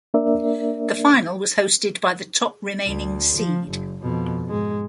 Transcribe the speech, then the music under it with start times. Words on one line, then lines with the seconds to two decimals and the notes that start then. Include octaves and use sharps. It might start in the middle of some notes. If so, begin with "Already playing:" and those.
The final was hosted by the top remaining seed.
0.14 A#3 D4 A#4 D5 E5
2.86 D2
3.37 F3
3.69 F#1
4.02 F2 B2
4.47 G#2 G#3